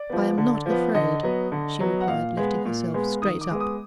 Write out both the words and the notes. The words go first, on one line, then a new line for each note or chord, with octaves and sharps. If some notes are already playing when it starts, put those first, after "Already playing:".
'I am not afraid,' she replied, lifting herself straight up.
Already playing: D5
F3 B3
D3
F3 B3
D3 D#5
F#3 B3
D3
F#3 B3
F#5
A#2 F5
G#3 B3
A#2
G#3 B3
D#3 D#6
D6
G#3 B3
D#6